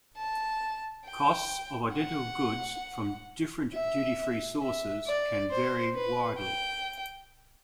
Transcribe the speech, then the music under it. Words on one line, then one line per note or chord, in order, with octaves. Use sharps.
Costs of identical goods from different duty-free sources can vary widely.
A5
G5
F#5
E5
E5
D5
C5
B4
G5